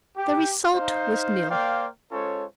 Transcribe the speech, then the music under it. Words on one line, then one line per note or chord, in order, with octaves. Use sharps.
The result was nil.
G4
D#4 C5 F5
A#3 C5 D5 F5 G5
G#3 C#4 F4 A4 C5 C#5